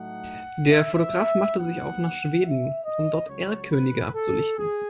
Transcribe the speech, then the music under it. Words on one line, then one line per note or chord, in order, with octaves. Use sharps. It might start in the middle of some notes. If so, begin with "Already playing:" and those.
Der Fotograf machte sich auf nach Schweden, um dort Erlkönige abzulichten.
Already playing: A2 F#3 A3 D#4 F#5
E5
D#2 D#3 F#3 B3 F#5
E5
D#5
C#2 C#3 F#3 C#5
B4
A4
G#4